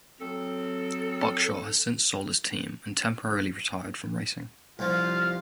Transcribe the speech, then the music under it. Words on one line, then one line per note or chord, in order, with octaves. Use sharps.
Buckshot has since sold his team and temporarily retired from racing.
F#3 C4 A4
C2 F3 F4 F5